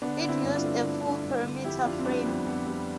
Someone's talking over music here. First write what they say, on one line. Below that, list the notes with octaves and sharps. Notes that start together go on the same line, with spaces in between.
It used a full perimeter frame.
D3 B3 D4
D3
C4 E4
G2
D4 F4
A3
D3
D3
G2
D3
F2 E4 G4
F2 D4 F4
C4
G3 B3 D4
F2 B3
F2 B3
G3